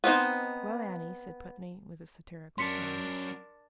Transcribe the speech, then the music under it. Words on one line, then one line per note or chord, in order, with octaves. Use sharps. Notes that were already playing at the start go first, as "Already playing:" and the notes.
"Well, Annie," said Putney, with a satirical smile.
B3 C4 D#4 C5
F#3 C#4 D4 A#4 C6 B6 C#7